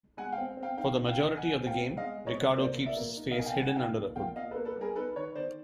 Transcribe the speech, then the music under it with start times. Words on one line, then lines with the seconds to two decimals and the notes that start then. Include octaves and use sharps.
For the majority of the game, Riccardo keeps his face hidden under a hood.
0.17 G#3 F#5 G#5
0.32 F5 G5
0.38 C4
0.57 C4
0.63 F5 G5
0.77 D#4 F5 G5
0.98 D#4
1.07 F5 G5
1.17 D#4
1.37 D#4 F#5 G#5
1.57 C4
1.67 F5 G5
1.77 C4
1.96 G#3 D#5 F5
2.17 G#3
2.26 C#5 D#5
2.37 C4
2.56 A#3 C5 D5
2.77 A#2
2.86 D5 E5
2.97 A#3
3.17 D#4
3.31 D#5 F5
3.36 A#3 G#5
3.46 F5 G5
3.56 G3 F#5 G#5
3.76 D#4 F5 G5
3.96 A#2
4.15 A#2 F5 G5
4.36 A#2 D#5 F5
4.51 A4 B4
4.56 A#3
4.65 A4 B4
4.76 G3
4.81 G#4 A#4
4.96 D#4 A4 B4
5.15 D#3 B4 C#5
5.36 D#3 C5 D5